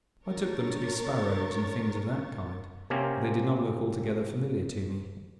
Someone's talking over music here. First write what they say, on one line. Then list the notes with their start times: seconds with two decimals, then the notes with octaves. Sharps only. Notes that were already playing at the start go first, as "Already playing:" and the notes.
I took them to be sparrows and things of that kind, but they did not look altogether familiar to me.
0.25 D4 A#4 C#5 C#6 A6
2.90 C3 A#3 C4 C#4